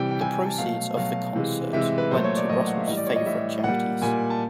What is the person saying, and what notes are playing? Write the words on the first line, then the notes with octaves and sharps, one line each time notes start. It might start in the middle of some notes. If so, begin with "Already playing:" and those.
The proceeds of the concert went to Russell's favourite charities.
Already playing: C3 E3 G3 G5
G5
C3 E3 G3 G#5
G#5
A5
B2 F#3 A3 F5
B2 F#3 A3 F5
C3 E3 G#3
C3 E3 G#3 E5
B4
A#2 F#3 A3 C5
C#5
D5
A#2 F#3 A3 D#5
F#5
F5
E5
A2 E3 G3 D#5
D5
C#5
D#5
A2 E3 G3 E5
A#2 G3 F#5
A#2 G3 G#5
A5